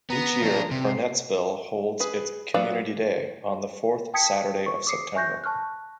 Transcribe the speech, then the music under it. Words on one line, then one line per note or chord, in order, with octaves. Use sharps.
Each year Burnettsville holds its Community Day on the fourth Saturday of September.
B3 A#5
F3 D4
C3
C7
G#4 B4
F#3 B3 B4 D5 F5
G5 A5 D#6 G#6 B6 C#7
C#6
D6 D#6 C7 C#7
E5 G#5 C#6 F#6 G6 A#6
A5 C#6 F6 F#6